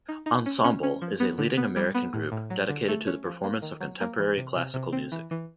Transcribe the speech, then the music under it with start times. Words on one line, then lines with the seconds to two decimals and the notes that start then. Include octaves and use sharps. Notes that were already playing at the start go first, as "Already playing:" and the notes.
Ensemble is a leading American group dedicated to the performance of contemporary classical music.
0.09 D#4
0.26 D#4
0.46 C#4
0.64 C#4
0.83 C#4
1.02 F3
1.20 B3
1.38 D3
1.57 B3
1.76 G3
1.94 B3
2.14 A2
2.32 A2
2.50 F#3
2.69 D3
2.88 A3
3.07 C#4
3.25 F3
3.44 A#3
3.62 D#3
3.81 F#3
4.00 A#3
4.18 E3
4.37 C3
4.55 C3
4.74 C3
4.93 C4
5.12 E3
5.31 E3